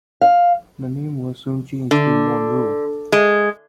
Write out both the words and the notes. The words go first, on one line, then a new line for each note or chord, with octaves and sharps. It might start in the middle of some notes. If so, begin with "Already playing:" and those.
The name was soon changed to Monroe.
F5
D3
G#3